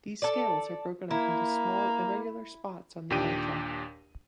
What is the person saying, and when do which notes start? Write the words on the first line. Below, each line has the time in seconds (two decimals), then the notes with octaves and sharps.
These scales are broken up into small irregular spots on the elytra.
0.22 A4 D5
1.11 A#3 E4
3.10 D#2 A#2 D4 G4 G5 D#7